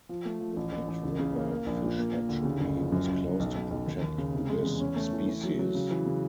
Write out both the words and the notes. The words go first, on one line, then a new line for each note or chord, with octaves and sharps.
The Pit River Fish Hatchery was closed to protect this species.
F3
A3
F3
A1
A1
A1
C#2
C#3
A#3
A#3
A#1
A#2
A#3
A#3
D2
C#3
F#1
F3
F#2
F#1
F#1
B1
B1
B1
D#2
D#2
C#3
C3
G#3
E2
C#4
A3
E3
A3
F#3
F#3
C#3
E3
C#3